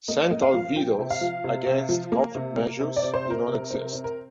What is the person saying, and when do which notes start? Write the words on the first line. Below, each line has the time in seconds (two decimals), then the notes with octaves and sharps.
Central vetoes "against" conflict measures do not exist.
0.08 A#3 D#5
0.31 A#3 D#5
0.42 F5
0.54 F3
0.76 F3 G5
0.99 C3
1.10 F5
1.21 F3
1.44 C3
1.67 C3
1.89 F3
2.12 A#3
2.35 C3
2.58 A#3
2.80 C3
2.96 D5
3.03 C4
3.14 C5
3.25 C4
3.30 A#4
3.48 C3
3.71 C4
3.93 C4
4.04 A#4